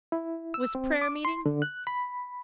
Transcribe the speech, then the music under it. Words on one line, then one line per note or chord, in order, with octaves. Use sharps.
"Was prayer-meeting?"
E4
E6
C4
D6
C6
D3
F#6
B5